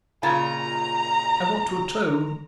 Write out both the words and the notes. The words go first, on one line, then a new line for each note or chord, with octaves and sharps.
I want to atone.
A#2 C#3 F4 A#5